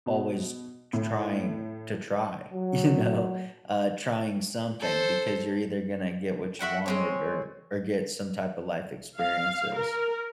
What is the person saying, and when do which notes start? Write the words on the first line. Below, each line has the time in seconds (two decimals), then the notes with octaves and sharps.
always tr trying to try, you know? Uh, trying something because you're either gonna get what you wanted or or get some type of life experiences.
0.06 B2
0.93 A2
2.51 F#3
4.80 A4 C5
6.59 F#4 E5 F#5 G5
6.86 G#3 C4 C#5
9.19 F5
9.77 A#4